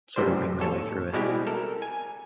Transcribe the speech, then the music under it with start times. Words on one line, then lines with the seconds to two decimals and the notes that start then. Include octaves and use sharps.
sort of wing my way through it.
0.16 F#2 A2 C3 E3 G3 C5
0.59 A1 D#2 A4 C#5
1.13 B2 G3 G#3 C4 E4 G4
1.47 A4 A#4
1.82 G#5